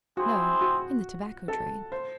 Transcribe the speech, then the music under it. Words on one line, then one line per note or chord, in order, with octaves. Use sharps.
'No, in the tobacco trade.'
C4 E4 F#4 G#4 C5
F#4
A4
C5